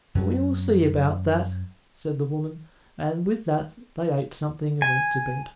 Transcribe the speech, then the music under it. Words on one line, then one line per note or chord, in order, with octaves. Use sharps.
"We will see about that," said the woman, and with that they ate something and went to bed.
F#2 F#3 A3 C#4
G#5